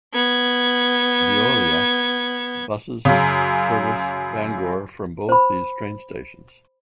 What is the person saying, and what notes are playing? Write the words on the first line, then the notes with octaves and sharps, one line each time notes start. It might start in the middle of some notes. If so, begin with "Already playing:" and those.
Veolia buses service Bangor from both these train stations.
B3 G#6
F#2 C#3
C5 B5